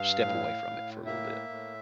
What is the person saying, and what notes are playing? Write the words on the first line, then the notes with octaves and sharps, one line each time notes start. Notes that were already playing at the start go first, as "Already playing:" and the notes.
step away from it for a little bit.
Already playing: G2 F5
A2
A2
A#3 E5
A2